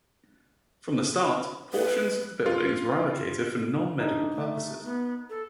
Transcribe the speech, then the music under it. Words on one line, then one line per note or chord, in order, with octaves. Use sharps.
From the start, portions of the buildings were allocated for non-medical purposes.
B4
F4
D4 D#4
A3
B3
A4